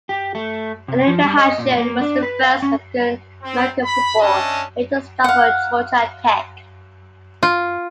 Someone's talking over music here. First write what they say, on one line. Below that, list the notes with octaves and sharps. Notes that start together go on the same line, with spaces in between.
Eddie McAshan was the first African American football player to start for Georgia Tech.
G4
A3
C3
F3
G3
D#5
A#2
A#3
D4
B4
F5
C#4
C4
B5
C#4 D4 D#5 E5 A5
F5 F#5
F4